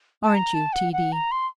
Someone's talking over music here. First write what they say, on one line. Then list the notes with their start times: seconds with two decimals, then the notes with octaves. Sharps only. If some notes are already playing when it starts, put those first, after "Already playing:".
Aren't you, T. D.?
0.23 A5
0.35 A#5
0.54 A5
0.73 F#5
0.93 F#5
1.12 A#5
1.32 C6